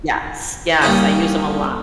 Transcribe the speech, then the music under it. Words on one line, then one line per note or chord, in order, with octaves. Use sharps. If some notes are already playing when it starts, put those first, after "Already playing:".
Yes, yes. I use 'em a lot.
G3 A#3 C#4 D#4